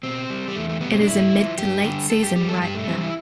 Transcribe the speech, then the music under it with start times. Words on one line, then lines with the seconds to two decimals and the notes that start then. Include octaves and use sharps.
It is a mid to late-season ripener.
0.03 B2 C4
0.30 G3
0.48 G3
0.55 E2 A3
0.69 A3
0.81 B2 G3 B3
0.94 C4
1.01 D4
1.07 G2 E4
1.33 F3
1.58 G2 G4
1.84 D3 G3
2.10 G2 A4
2.23 G4
2.36 E3 G3 G4
2.48 A4
2.62 G2 G4
2.75 A3
2.87 E3 G3 C4
3.01 E4